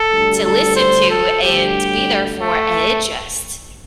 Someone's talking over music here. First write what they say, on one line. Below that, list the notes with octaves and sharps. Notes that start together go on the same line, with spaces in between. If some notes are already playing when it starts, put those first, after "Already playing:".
to listen to, and be there for, and it just
Already playing: A4
D2 D3 G3
A4
C5
A4
D2 D3 G3 G4
A3